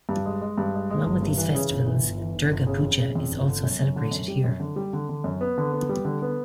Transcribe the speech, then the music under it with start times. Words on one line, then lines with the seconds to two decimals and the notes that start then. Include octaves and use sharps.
Along with these festivals Durga Puja is also celebrated here.
0.09 G2
0.26 G#3
0.41 G#3
0.58 G2
0.74 G#3
0.90 G#3
1.06 G1
1.22 G2
1.38 E3
1.55 C#3
1.70 G1
1.86 E3
2.02 G1
2.18 E3
2.34 G1
2.51 G1
2.66 C#3
2.82 F2
2.99 C#3
3.15 F2
3.31 G1
3.47 D3
3.63 F#2
3.79 F#2
3.96 D3
4.11 F#2
4.28 G3
4.44 F#2
4.60 D3
4.76 G3
4.93 D3
5.09 D3
5.24 F#2
5.41 B3
5.58 D3
5.73 B3
5.89 G3
6.05 D3
6.22 B3